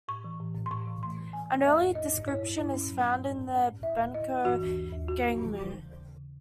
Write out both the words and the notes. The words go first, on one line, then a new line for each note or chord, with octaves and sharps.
An early description is found in the Bencao Gangmu.
A2 C#6
E3
A2
A2
C6
A2 C#6
E3
A3 C6
E3
E3 G#5
A2
A3 E5
A2
E4 D#5
A2
E4 C#5
E4
E4
C#4
F#3
E4
A2
A2
C#4
A2
E4 E5
A2
E4 D#5
E4
E3 F#4
D#2
E3
D#2
D#2 F#4
D#2
D#2
E3
C#3
D#2
C#3
C#3